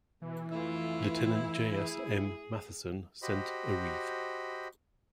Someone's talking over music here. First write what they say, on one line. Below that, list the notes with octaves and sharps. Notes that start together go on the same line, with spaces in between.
Lieutenant J. S. M. Matheson sent a wreath.
B2 E3
F2 A3 E4 F4
G#4
F#4 G4 C5 D#5 B5